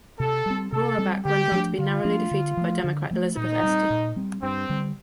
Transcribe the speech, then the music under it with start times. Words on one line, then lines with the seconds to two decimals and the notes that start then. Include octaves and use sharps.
Roraback went on to be narrowly defeated by Democrat Elizabeth Esty.
0.20 C3 A4
0.46 G3 C4
0.72 C3 A4
0.98 G3 C4
1.25 D3 G4
1.52 F3 A3 D4
1.78 D3 F4
2.05 F3 A3 D4
2.31 D3
2.57 F3 A3
2.84 D3
3.11 F3 A3
3.37 A#2 D#4
3.63 G3 C4
3.90 A#2
4.16 G3 C4
4.43 G2 C4
4.69 D3 G3